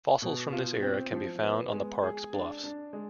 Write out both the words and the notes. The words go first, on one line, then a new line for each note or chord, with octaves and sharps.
Fossils from this era can be found on the parks bluffs.
B2
F4
C4
F3
B3
G#3
G#4
D4
D4
G#3